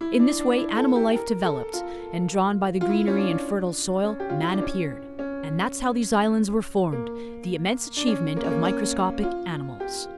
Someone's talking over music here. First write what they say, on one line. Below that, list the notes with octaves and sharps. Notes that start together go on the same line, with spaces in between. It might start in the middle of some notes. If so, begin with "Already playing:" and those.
In this way animal life developed, and drawn by the greenery and fertile soil, man appeared. And that's how these islands were formed, the immense achievement of microscopic animals.
E4
D4
D4
E4
A4
G4
A#4
A4
F4
F4
E4
C#4
D4
C#4
G4
F4
E4
D4
C#4
C#4
A#3
D4
C#4
A#3
C#4
A#3
C#4
F4
G4